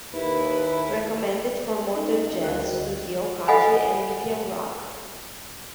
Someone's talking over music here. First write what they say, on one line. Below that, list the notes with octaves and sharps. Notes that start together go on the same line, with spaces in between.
Recommended for modern jazz, studio, country and medium rock.
D#2 E4 B4
C#4 D#4
G#4 D#5
D2 D3 G3 A#4 F#6
F#4 A#4 C5 D5 D#5 G5
A4 D#5 F5 F#5 G#5 B5